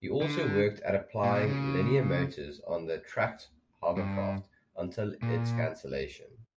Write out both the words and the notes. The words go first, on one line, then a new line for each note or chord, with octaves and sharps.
He also worked at applying linear motors on the Tracked Hovercraft until its cancellation.
D3
A#2
B2
C#3
G2
A#2